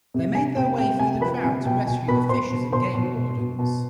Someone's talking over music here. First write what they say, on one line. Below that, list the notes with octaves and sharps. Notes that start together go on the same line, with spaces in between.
They made their way through the crowd to rescue the fishers and game wardens.
C3
C3 G#5
C3 G5
C3 G5
C3 G#5
F3 B4 B5
C3 G#5
B2 G5
B2 G#5
B2 B4 B5
B2 C5 C6
B2
B2 C5 C6
B2
B2
B2
B2